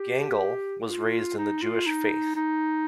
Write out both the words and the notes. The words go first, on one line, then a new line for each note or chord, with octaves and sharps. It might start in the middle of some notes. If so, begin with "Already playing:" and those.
Gangel was raised in the Jewish faith.
Already playing: G4
F4
D#4
F4
D#4
D#4